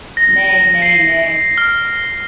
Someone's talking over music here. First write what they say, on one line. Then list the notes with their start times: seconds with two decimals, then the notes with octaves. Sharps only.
Ne, ne, ne.
0.17 A#6
0.82 C7
1.58 F6